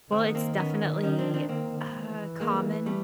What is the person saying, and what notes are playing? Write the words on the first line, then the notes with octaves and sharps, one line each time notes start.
well, it's definitely, uh, common...
D#3 C4
B3
A#3 C4
B3 C#4
C#4 D#4
C4 D4
C4 D4
A#3 C4
E3
G#3 A#3
G3 A3